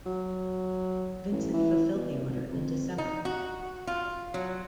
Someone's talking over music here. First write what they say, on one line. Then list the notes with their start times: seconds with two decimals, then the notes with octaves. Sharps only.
Vincent fulfilled the order in December.
0.06 F#3
1.31 A1
1.54 E3
1.94 B2
2.29 G#1
2.52 F2
2.98 D#4
3.25 F#4
3.87 F4
4.34 F#3